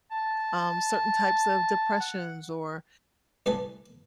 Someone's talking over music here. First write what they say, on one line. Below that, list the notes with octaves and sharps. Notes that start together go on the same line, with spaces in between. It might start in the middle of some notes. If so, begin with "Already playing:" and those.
um, certain types of depressions or,
A5
F#5
C2 A2 B4 G#5 A5 B5